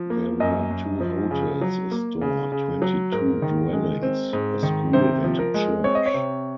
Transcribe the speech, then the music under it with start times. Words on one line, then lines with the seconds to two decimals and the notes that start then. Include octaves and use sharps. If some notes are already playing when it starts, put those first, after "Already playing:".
There were two hotels, a store, twenty two dwellings, a school and a church.
Already playing: F3
0.10 A#3
0.40 F#2 D#5
0.71 F#2
1.01 F3
1.31 C#3
1.61 F#3
1.91 A#3
2.21 C#3
2.52 C#3
2.82 F#3
3.12 G#2 A#4
3.42 D#3
3.72 G#3
4.03 C4
4.33 G#2
4.63 D#3
4.93 C3 C5
5.24 F3
5.39 A#4
5.54 G#3
5.84 C4 C#5
5.95 D#5
6.06 C#5
6.14 C3